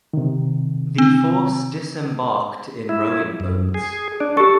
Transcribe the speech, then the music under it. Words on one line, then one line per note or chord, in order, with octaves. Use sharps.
The force disembarked in rowing boats.
C3 D#3
C4
E4
F#2
G#4
D4
G4 A4 C#6